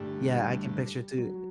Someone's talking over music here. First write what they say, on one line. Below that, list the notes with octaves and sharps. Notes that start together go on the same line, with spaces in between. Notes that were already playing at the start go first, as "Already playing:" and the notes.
Yeah, I can picture it, too
Already playing: G2 D3 G3 A3
F#3